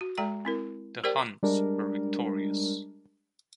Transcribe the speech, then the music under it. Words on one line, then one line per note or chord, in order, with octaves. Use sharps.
The Huns were victorious.
F#4
G#3 A4 D5 G5 A#5
C4 E4 A#4
G4 A#4 C5 D5 G5
G3 G#3 D4 A#4